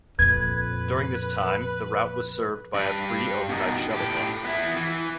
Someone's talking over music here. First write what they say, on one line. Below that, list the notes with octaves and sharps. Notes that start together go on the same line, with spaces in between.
During this time, the route was served by a free overnight shuttle bus.
F2 A#2 B4 G#6
G2 B4
B2 D#3
A2 G4
B3 E4
E3